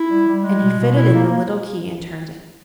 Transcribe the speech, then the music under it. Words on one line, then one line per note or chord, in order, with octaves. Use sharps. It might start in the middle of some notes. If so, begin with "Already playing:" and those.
And he fitted in the little key and turned it.
Already playing: E4
G3
G3
G#3
B2
B2
E4
A#3